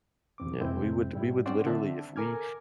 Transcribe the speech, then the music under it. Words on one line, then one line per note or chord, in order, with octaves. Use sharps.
Yeah, we would we would literally if we
E2 C4 D6
F2 C3 G#3 C4 E4 G6
G#2 G3 E4
C4 C#4 C5 D5 F#5 G5
D3 C4 D4 E5 A5
A4 A#4 G#5 D6 F6 G#6